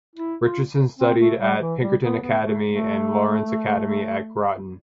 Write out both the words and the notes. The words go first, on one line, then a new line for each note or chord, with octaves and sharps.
Richardson studied at Pinkerton Academy and Lawrence Academy at Groton.
E4
F4
C4
A3
G3
E3
G3
B3
B3
A3
A3